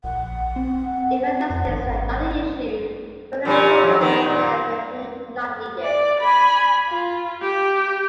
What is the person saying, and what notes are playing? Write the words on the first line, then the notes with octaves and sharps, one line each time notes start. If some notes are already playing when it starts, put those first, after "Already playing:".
If aesthetics are not an issue, fertilization and maintenance are generally not needed.
A#1 F#5
C4
F2
G#1
A#2 G3 C#4
F2 F#3
D#3 B3
A#2
D5
G#5 B5
F4
G4